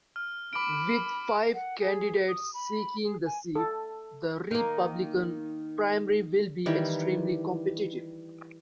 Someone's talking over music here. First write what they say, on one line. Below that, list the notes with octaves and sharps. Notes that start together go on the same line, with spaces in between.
With five candidates seeking the seat, the Republican primary will be extremely competitive.
F6
B5 D6 D7
F#5
G#4
D#6
B5
G#4
G#5
A4
D#3 A#3
D#3 E3 G3 G4